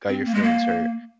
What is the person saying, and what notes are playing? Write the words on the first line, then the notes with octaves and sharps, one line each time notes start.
got your feelings hurt,"
C4
A#3
G#3
A#3